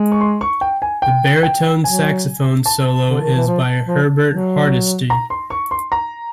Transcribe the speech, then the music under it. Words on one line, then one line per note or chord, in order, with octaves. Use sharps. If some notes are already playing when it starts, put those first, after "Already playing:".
The baritone saxophone solo is by Herbert Hardesty.
Already playing: G#3
C#6
C6
C#6
G5
G#5
G5
G5
F#3 G#5
A5
D3
D#3
E3
F3
F3
F#3
A#5
C6
C#6
C6
A#5